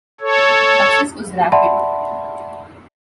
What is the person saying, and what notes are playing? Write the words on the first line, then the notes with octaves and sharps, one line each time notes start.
Success was rapid.
A4 C#5
D5 E5 F#5 A5 B5 C6